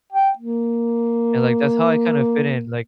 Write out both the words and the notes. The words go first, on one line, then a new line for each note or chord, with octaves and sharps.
and, like, that's how I kind of fit in, like,
G5
A#3